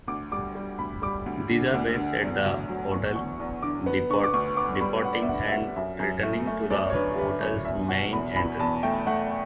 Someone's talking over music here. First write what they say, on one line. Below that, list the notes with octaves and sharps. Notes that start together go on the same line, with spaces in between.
These are based at the hotel, departing and returning to the hotel's main entrance.
D2 D6
G3 D6
G3
D2 B5
G3 D6
D2
D3
D2
D3
E2
F#3
F#3
E2 C#6
E2 C#6
E2
D3 D6
B3
D3 C#6
D6
D2 C#6
B3 D6
G3 B5
D2 F#5
D5
E5
D3 F#5
E5
D2 F#5
F#2 E5
F#2
A3
A3
F#2 D5
C#5
D3 B4
D3 B4
F#2 C#5
E2 E5
B2 F#5
E2 B5
E2 B5
E2 A5
A3 G5
A3 F#5